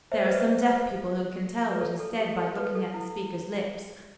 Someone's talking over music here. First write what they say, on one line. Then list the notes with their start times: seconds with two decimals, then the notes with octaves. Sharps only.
There are some deaf people who can tell what is said by looking at the speaker's lips.
0.12 C5 E5
0.25 C5
0.30 B4 D#5
0.49 C5
0.68 B4
1.72 B4
1.81 A4
2.00 A4
2.19 G4
2.37 A4
2.56 B4
2.75 A4
2.94 E4